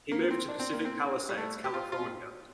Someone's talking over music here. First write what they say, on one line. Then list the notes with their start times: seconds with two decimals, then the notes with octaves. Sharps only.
He moved to Pacific Palisades, California.
0.12 A#3
0.31 C4
0.48 D4
0.60 C4
0.73 A#3
0.85 C4
1.29 G3
1.37 A3
1.64 G4
1.74 F4
1.92 F4